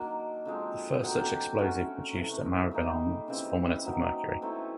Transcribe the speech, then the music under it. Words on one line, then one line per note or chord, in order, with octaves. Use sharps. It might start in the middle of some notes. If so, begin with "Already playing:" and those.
The first such explosive produced at Maribyrnong was fulminate of mercury.
Already playing: D#3 F#3 A#3 D4
D3 F3 G#3 C4
F#3 A#3 D4 G4
A3 C#4 F#4 A#4
C3 E3 A3
G3 A#3 D#4 G#4
C#3 E3 G3 C4
F#3 A#3 D#4
E3 A3 C4 E4